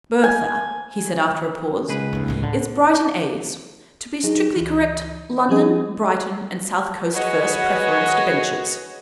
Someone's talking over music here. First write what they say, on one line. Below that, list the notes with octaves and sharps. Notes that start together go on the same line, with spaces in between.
'Bertha,' he said, after a pause, 'is Brighton A's--to be strictly correct, London, Brighton, and South Coast First Preference Debentures.
G#5
C#2 G#4 B4
D#2 A3
D2 A2
D3
F#3 D#4 G#4
C#2 E3
F3 G3 C#4 G#4 D#5
F#4 G#4 B4 C#5 D#5 F#5